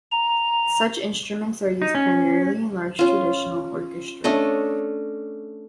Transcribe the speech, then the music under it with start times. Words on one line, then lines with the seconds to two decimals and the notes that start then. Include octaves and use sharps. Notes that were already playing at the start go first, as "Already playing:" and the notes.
Such instruments are used primarily in large traditional orchestras.
0.12 A#5
1.82 D#4
1.95 C#4
2.99 C#4 F4
4.24 A3 C#4 D4 D#5